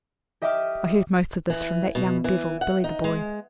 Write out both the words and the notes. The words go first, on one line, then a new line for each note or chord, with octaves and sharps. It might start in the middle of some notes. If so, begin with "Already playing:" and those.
'I heard most of this from that young devil, Billy the Boy.
G4 D#5 E5 G5 D6 F6
E3
B2
E3
F#5
D#4
G#3